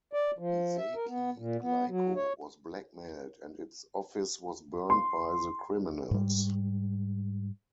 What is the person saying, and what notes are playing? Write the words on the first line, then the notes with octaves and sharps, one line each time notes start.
Ezaki Glico was blackmailed and its office was burned by the criminals.
D5
F3
E5
A#4
B3
A#2
B3
F#3
C#5
C6
G#2 G3